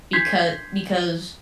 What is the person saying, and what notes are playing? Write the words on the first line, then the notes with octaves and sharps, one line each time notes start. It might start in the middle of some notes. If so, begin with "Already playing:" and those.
becau because
D4 C6 G6 G#6 B6 C7